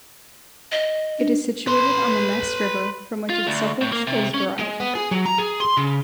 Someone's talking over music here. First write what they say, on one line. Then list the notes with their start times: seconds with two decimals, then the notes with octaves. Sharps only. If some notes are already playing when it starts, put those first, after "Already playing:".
It is situated on the Mess River, from which its suffix is derived.
0.72 D#5
1.19 D4
1.67 B4 C6
3.30 F4
3.47 D2
3.81 A2
3.92 A#3
4.07 C3
4.34 C#4
4.59 G#3
4.80 B3
4.95 G#4
5.11 F#3
5.26 A#5
5.38 G#4
5.60 C6
5.77 C#3